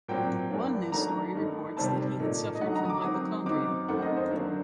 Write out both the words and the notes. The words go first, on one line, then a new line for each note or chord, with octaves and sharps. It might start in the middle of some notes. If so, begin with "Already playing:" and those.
One news story reports that he had suffered from hypochondria.
A#2 F#3 C4 G5
G2 F#3 A#3 D4
D#3 F#3 A3 D4 A#5
G2 D#3 A3 D#4
C3 D#3 G3 C4 A5
A#2 A3 D#4
D#5
D3 F#3 A3 D#4 F#5
A#5
D#6
D6
D#3 F#3 C4 D#6
F#2 F#3 C4 D#4 D6
F#2 D#3 A3 C4 F#5
D#5
C5
D3 F#3 A#3 D4